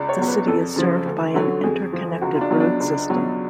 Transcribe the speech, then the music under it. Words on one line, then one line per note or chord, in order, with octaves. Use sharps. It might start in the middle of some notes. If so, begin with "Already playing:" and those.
The city is served by an interconnected road system.
Already playing: C#2 D5
C#5
B2 F#3
B4
F2 A4
C#3 F3
D2
D3 F#3
F2 G#4
F3
C#2 F#4
F4
D4
B2 F#3
D4
C#2
B2 F#3